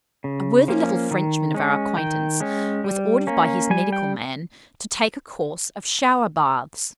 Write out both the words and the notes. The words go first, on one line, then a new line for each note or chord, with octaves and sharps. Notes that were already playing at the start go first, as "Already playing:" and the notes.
A worthy little Frenchman of our acquaintance was ordered by his medical man to take a course of shower-baths.
C#3
F3 A#3 C#4
D#3
G#3 C#4
D#3 G5
G#3 C#4
G3
A#3 C#4
G3 G#5
G5